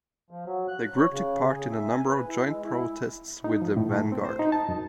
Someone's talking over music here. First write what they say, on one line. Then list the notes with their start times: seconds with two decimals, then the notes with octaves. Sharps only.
The group took part in a number of joint protests with the Vanguard.
0.31 F3
0.46 F#3
0.68 F#6
0.97 C#5
1.12 C#3
1.49 G#4
1.72 E5
1.91 G#5
2.07 B4
2.29 E4
2.48 G#3
2.64 E4
3.44 D#4
3.62 F3
3.77 A2
3.89 A3
4.12 C4
4.24 C5
4.39 D#4
4.52 A5
4.69 F#2